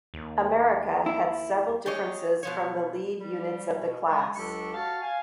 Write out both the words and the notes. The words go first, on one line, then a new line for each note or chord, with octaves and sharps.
"America" had several differences from the lead units of the class.
D#2
E4
G4 G#4 C#5 D#5
B2 F3 C#5
G3
B2
G#3
C#2 F#3 D4 G4 A4 C#6
F#4 C#5 F5 A5
F5 G#5